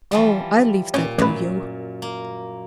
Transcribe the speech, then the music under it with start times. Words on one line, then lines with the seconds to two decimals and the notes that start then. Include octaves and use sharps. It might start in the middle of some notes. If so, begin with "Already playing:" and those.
"Oh, I leave that to you."
0.12 E3 F3 G3
0.94 A#2 C#4
1.19 A1 F#2 B4
2.02 A#3